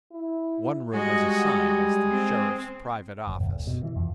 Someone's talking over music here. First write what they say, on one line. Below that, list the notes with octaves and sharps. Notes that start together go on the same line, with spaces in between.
One room was assigned as the Sheriff's private office.
E4
G3 G#3 F#4 D#5
C4
F#1
D#1
F1
B2
E3
F2